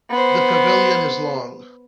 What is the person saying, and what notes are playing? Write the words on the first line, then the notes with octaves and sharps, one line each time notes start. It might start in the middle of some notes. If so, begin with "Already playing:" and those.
The pavilion is long.
B3 C5